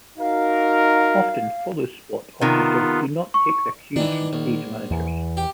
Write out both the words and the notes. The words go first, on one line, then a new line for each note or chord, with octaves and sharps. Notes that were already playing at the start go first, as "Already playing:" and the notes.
Often followspot operators do not take their cues from stage managers.
D#4 F#4 A#4 F5
C3 D#3 B3 F4
C#6
D#3 E3 D4
A#1
E2
G4